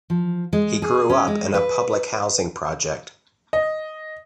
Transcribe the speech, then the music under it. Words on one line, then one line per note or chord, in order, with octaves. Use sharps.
He grew up in a public housing project.
F3
G#3
G#4
C#4
G#3
B4
D#5